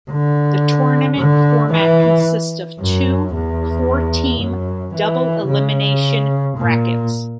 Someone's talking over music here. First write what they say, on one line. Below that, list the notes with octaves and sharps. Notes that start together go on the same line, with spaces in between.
The tournament format consists of two four-team double-elimination brackets.
D3
D3
E3
F#2
E2
F#2
E3
C#3
A#2